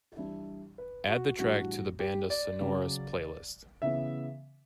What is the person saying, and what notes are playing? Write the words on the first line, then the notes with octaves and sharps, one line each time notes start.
Add the track to the bandas sonoras playlist.
E3 G3 D4 E4
B4
F#4
A2 E3 G3 D4 F#4
G4
D5
C#3 F#3 C#4
C#3 E3 B3 E5